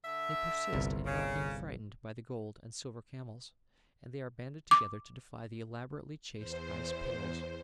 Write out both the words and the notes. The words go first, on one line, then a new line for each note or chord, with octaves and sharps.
They persist in not being frightened by the gold and silver camels, and they are banded together to defy the elaborately chased ice-pails.
D3 E5
G1 C2
C#3
D6
E2 C5